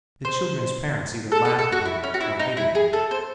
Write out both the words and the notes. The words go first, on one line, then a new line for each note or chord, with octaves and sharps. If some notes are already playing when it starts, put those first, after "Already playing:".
The children's parents either laughed at him or hated him.
C5
A4
A4
A4
F#4
E4
C#4
F#4
E4
D#4
E4
G#4
A4
C5